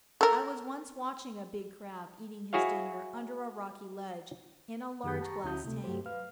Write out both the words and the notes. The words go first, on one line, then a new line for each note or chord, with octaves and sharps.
I was once watching a big Crab eating his dinner under a rocky ledge in a large glass tank.
A4 A#4
E4 F#4 G#4 C#5 F5
F#2 D#3 G4 G#4 G6
G4 A5 A#5 C#6
D2 C#4 E4 F#4 D#6 G6
C3 A3
G2 F#3 A3 G4 C5
B4 F5 F6